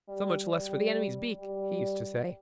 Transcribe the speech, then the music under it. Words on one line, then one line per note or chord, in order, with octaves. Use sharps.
So much less for the enemy's beak, he used to say.
G3
G3
G3